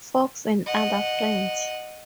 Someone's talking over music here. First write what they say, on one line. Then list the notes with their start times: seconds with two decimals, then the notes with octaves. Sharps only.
Fox and other friends.
0.66 D#5 F#5